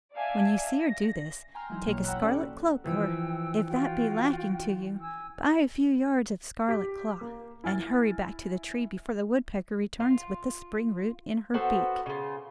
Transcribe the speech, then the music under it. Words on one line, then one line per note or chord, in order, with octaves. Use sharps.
When you see her do this, take a scarlet cloak, or if that be lacking to you, buy a few yards of scarlet cloth, and hurry back to the tree before the woodpecker returns with the spring-root in her beak.
D5 E5 F5 G#5 A5
A#6
G5 G#5 A#5 C6 F6
E3 F#3 G#3 D#4 E4
A#1 B2 E3 A#3 C#5 C#6
F#5 G5 A#5 B5 E6 F#6
C#4 D4 F#4 G4 A4 D5
E3 F3 G5 E6
F4 F#4 G5
G#5 E6
G4 B6
A#3
E4 G#5 F6 A6
F4
B3 F#4 A4 C5
C#3 F4